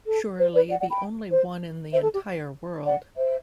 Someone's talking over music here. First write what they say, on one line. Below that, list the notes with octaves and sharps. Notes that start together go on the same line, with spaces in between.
Surely the only one in the entire world.
A4
C5
B4 D5
D5 F#5
D5 F#5
G5 B5
C5
C5 E5
A4
G4
D5 F#5
C5 E5